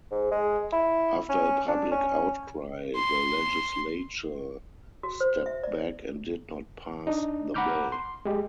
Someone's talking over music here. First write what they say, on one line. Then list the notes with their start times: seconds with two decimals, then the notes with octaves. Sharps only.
After a public outcry, the legislature stepped back and did not pass the bill.
0.11 G#2
0.32 G#3
0.73 E4
1.29 C#4
1.68 D4
1.92 C#4
2.95 C6
5.03 F#4
5.20 C5
5.46 E5
5.64 D5
7.07 D4 D#4
7.54 F#5 A#5 B5 D6 F6 G6
7.92 C6
8.25 G#3 G4